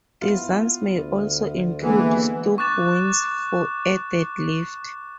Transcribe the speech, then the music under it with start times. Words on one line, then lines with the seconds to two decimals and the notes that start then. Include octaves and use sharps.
Designs may also include stub wings for added lift.
0.21 B3 E4 F4
0.94 D2
1.82 E3 G#3 A#3 B3 D4
2.58 C#6 D6 F#6 A6 E7